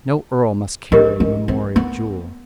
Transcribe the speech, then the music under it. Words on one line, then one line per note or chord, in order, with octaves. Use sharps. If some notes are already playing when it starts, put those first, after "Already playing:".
No earl must carry memorial jewel.
D4 G4 A#4 D#5
C#4
C4
B3